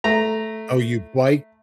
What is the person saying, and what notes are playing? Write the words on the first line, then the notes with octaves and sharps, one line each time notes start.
Oh, you bi
A3 A#5